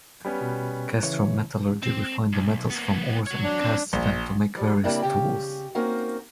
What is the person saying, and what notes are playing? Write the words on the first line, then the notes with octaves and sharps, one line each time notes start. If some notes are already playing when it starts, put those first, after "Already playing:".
Castro metallurgy refined the metals from ores and cast them to make various tools.
G3 B3 C#4
B2
C#3 E3 C#5
C4
B1
A#3 B3
F#4 C#5
D4
F2 C4
A#1
F3 G3
C#3 G3 A#3 C4 D4 E4
C#3 G4 G5
A#3 C4 C#4 D#4 F#4